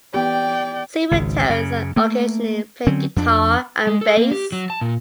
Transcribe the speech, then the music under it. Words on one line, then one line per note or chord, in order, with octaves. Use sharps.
Supertones, and occasionally played guitar and bass.
E3 B3 G4 D5 G5
G#1 C#2
F#2 C#3
A3 A#3
D3 F#3 C4 C#4
F2 D4
G#3
A4
A#3
G4
F#3
A5
A#2